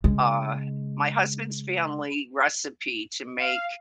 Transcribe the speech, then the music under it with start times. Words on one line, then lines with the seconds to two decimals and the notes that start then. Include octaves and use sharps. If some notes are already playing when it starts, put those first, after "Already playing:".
uh, my husband's family recipe to make
0.04 C#3 G#3
3.41 F5